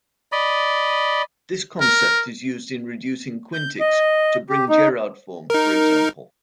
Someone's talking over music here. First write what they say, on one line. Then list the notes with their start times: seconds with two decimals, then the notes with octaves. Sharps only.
This concept is used in reducing quintics to Bring-Jerrard form, for example.
0.32 D5 D#5 B5
1.81 A#4
3.53 G6
3.80 D#5
4.50 G4
4.69 D#4
5.50 D#4 A#4